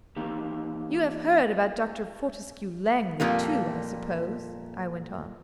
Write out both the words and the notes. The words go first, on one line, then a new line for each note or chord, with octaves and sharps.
'You have heard about Dr. Fortescue-Langley too, I suppose?' I went on.
E3 A#3 C4 D#4 G4
F2 A#2 G3 A#3